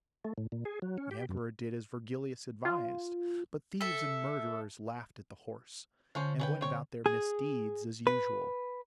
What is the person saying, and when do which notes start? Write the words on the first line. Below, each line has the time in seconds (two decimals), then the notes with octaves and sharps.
The emperor did as Virgilius advised, but thieves and murderers laughed at the horse, and went about their misdeeds as usual.
0.25 A3
0.38 A2
0.52 A#2
0.65 G#4
0.82 F#3
0.98 C#4
1.11 G4
1.29 F#2
2.65 F4
3.81 A4 E5
6.15 D3 F3 C#4 C5
6.39 C#4 B4 G5
6.61 C4 C#5
7.06 G#4
8.07 B4